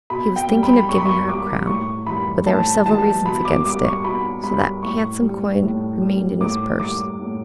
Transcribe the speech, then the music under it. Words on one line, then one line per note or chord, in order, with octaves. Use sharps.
He was thinking of giving her a crown, but there were several reasons against it, so that handsome coin remained in his purse.
B2 B5
G5
G3
B5
B2 C#6
B5
C#6
G3 D6
A2 C#6
E3 G3 B5
A2 A5
E3 G3 A5
B2 B5
D6
G3 D6
C#6
B2 B5
G3 B5
A2 C#6
G3
A2
G3
A2 D6
G3 D6
A2